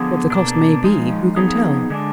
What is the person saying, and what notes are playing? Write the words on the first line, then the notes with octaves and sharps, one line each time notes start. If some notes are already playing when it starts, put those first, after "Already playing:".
What the cost may be, who can tell?
Already playing: D3 F3 B3 G#4
B2 A#3 D4
F3 G#3 D#4
F3 B3 D#4 G#4
D3 G#3 D4